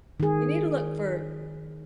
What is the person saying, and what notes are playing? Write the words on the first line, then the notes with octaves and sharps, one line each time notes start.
you need to look for
D#3 G#4